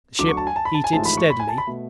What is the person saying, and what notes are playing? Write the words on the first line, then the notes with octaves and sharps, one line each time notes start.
The ship heated steadily.
D2 D3 F#3 D6
C#6
A5
G#5
A5
B5
A5
G#5
A1 G#2 F3 A3 A5
B5
C#6
B5
G#5
A5
B5
B2 A3